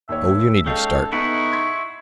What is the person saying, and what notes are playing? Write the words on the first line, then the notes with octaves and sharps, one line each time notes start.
Oh, you needn't start!
D#2 A#3 C#5 E5
G#3 C#4 D#4 A4 D#5 F5 G5
B3 D#4 E4 G#4 A4 F#5 C#6
C6 G#6 B6